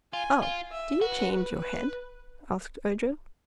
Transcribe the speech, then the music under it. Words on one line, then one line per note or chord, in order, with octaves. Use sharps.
"Oh; do you change your head?" asked Ojo.
F4 G#5
F4
E5
F#4 B4
B4